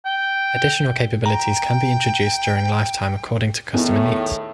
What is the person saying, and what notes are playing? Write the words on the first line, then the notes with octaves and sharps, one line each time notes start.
Additional capabilities can be introduced during lifetime according to customer needs.
G5
G5 A#5
E2 A2 D#3 E3